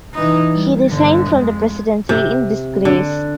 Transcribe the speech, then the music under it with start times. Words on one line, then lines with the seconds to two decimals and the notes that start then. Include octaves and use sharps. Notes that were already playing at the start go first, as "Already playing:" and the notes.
He resigned from the presidency in disgrace.
0.14 E3 D#4
0.52 G3
0.88 G1 D3
1.28 F2 G#3
2.09 C3
2.85 D3